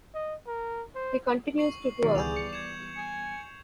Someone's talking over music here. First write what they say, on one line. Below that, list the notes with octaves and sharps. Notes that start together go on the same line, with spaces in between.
He continues to tour.
D#5
A#4
C5
C#6 C7 F#7
B2 D#3 F#3 A#4 D5
C#2 E3 G3 B3 G#4 G6 F7
C#7
G#6 E7
G#5